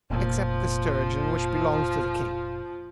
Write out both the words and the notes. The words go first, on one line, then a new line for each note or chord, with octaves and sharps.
"Except the sturgeon, which belongs to the king."
F1 A#2 F3